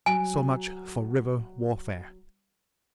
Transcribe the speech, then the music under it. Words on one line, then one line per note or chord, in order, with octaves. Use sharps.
So much for river warfare.
F#3 G#5